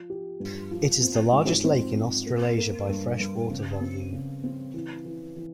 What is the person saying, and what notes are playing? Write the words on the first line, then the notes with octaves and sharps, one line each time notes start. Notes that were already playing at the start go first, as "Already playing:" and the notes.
It is the largest lake in Australasia by fresh water volume.
Already playing: F3
G4
G2
F3
C4
G#2
C4
C4
A#3
A#3
G2
G2
C#3
C4
C#3
C4
E3
E3
E3